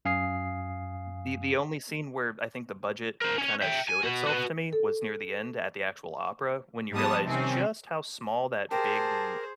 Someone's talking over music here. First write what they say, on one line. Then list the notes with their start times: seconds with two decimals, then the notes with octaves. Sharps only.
The the only scene where I think the budget kinda showed itself to me, was near the end at the actual opera, when you realize just how small that big m
0.05 F#2 F5 G#5 D#6 C7
3.21 A#4 C5
3.38 C#4 C#5
3.62 E5 G5
3.88 G#5
4.03 B3 F#4
4.27 F#4 B4
4.73 A4
6.92 G#2 F3 G3 B3 A5 D#6
7.24 C3 D#3 C4 C#4
8.71 G4 G#4 A#4 C5 A5